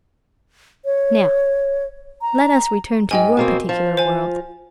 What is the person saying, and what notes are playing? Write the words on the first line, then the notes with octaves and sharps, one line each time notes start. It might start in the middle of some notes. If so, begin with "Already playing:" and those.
Now let us return to your particular world.
C#5
A#5
G#2 D#5 G5 G#5
B2 A#3 C4
F3
C5 G#5